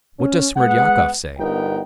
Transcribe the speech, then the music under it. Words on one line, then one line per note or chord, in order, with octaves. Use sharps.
What does Smerdyakov say?
C#4
G#3 B3 F#5
G1 B3 D#4 A#4 G5